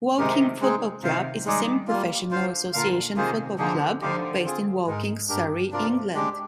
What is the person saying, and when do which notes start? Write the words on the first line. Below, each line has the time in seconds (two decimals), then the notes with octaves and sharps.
Woking Football Club is a semi-professional association football club based in Woking, Surrey, England.
0.18 C3 D#3 G#3 D#4 G4 A#4
0.61 G#3 C4 D#4 G#4
1.03 C3 D#3 F4 C5 F5
1.45 D#3 G3 G#3 D#4 G#4 D5
1.88 G3 A#3 F4
2.31 D3 F3 F4 C5 F5
2.73 A#2 D3 F4 A#4 F5
3.16 C3 D#3 A#3 F4 G#4 C5
3.58 D3 F3 A#3 D#4 G#4 C5
4.01 D3 F3 D#4 G4 C5 F5
4.44 C4 F4 G#4
4.87 G#2 G#3 D#4 A#4
5.29 G2 D4 G4 A#4
5.71 C3 D4 F4 A#4 D5
6.14 G#3 D4 G4 D5